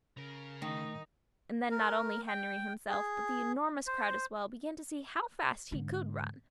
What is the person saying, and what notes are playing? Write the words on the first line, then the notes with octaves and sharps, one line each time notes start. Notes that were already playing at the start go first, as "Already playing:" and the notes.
And then not only Henry himself, but the enormous crowd as well, began to see how fast he could run.
C#3 A#4 A#5
A2 D#3 A3 D#4
A#4
G5
G#4
C5
G#2 D3